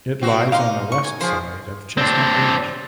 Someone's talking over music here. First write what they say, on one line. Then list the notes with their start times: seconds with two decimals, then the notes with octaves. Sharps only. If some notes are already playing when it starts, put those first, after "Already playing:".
It lies on the west side of Chestnut Ridge.
0.21 C4 F#4
0.52 D#4 D5 F5 C6
0.92 C#6
1.04 G#5
1.21 F3 G#4 C5
1.98 C4 D4